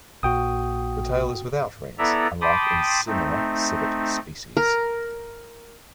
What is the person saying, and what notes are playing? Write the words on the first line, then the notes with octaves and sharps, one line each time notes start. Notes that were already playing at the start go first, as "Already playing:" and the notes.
The tail is without rings, unlike in similar civet species.
A#1 A#2 F#4 G5 D#6
B3 E4 A4 D5 E5 A#5
G5 A5 B5 C6 D6 D#6
A3 C4 D#4
A#4